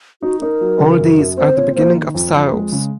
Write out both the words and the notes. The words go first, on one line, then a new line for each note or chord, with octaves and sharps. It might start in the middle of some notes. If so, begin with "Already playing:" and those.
All these are the beginning of sorrows.
D#4 F#4
D#4 A#4
F#3
C#3
F#2
F#2
C4 C5
A#2 C#5
A#3 C5
D#3
F2
F2
G#3
C#3